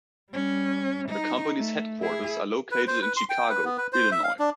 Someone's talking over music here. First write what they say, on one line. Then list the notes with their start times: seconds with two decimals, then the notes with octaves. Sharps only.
The company's headquarters are located in Chicago, Illinois.
0.31 G3 C#4
1.09 D#4
1.58 A3
1.99 E4 G#4
2.71 B4
2.87 C5
3.02 B4
3.17 C6
3.29 G5
3.50 B4
3.65 B3
3.77 B4
3.93 C5
4.12 E5
4.23 F5
4.39 D4